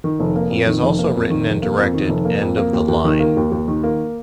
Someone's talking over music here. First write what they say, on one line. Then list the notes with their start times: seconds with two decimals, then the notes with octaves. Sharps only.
He has also written and directed "End of the Line".
0.04 D#3
0.20 F1
0.36 A#3
0.51 F2
0.67 D#3
0.82 F1
0.99 A#3
1.14 F2
1.30 D#3
1.46 F1
1.62 A#3
1.78 F2
1.94 D#3
2.09 F1
2.25 A#3
2.42 F2
2.57 A#3
2.73 D#2
2.88 D#2
3.04 D#3
3.20 A#3
3.37 D#2
3.52 D#2
3.68 D#3
3.83 A#3